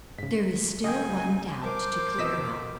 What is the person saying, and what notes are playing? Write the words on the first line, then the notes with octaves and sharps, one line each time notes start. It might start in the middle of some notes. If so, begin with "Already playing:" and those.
There is still one doubt to clear up.
G#2 C#3 B6
C#2 D#5 G5 G#5
A#4 C5 A5 D6
F2 B2 D#5 E6 B6